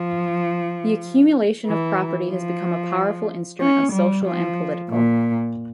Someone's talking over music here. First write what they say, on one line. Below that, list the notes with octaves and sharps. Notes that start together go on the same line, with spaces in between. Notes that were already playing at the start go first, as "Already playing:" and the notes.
The accumulation of property has become a powerful instrument of social and political.
Already playing: F3
E3
F3
C#4
G3
F3
A#2